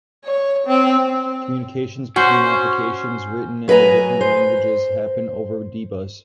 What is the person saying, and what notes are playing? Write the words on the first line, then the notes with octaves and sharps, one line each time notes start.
Communications between applications written in the different languages happen over D-Bus.
C#5
C4
C#4 F#4 C5
F#3 B4 D#5 G#5 A#5
C5